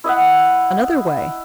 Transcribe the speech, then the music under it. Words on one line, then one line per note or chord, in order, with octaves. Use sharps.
Another Way.
E4 D#5 E5 F#5